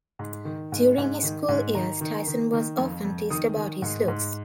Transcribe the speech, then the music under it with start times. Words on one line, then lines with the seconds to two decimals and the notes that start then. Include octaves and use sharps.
During his school years, Tyson was often teased about his looks.
0.19 G#2
0.45 D#3
0.72 G#2
0.98 G#2
1.23 D#3
1.49 G#2
1.75 D#3 A#5
2.01 D#3
2.27 D#3
2.53 D#3
2.78 F2
3.04 F2
3.30 D#3 D#6
3.56 D#3
3.82 G#2
4.08 G#2